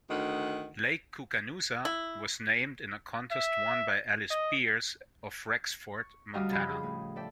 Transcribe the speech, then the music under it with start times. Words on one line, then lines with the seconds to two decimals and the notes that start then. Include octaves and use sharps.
Lake Koocanusa was named in a contest won by Alice Beers of Rexford, Montana.
0.09 D2 D#3 F#5
1.85 E4
3.32 E5
4.30 D#5
5.98 C#6
6.34 D2 G3 F#4 D#5 F5 G5
6.50 C#3 F3 G4 B5 G6
6.69 G#4
6.83 A2
7.16 A4 D5 E5 G5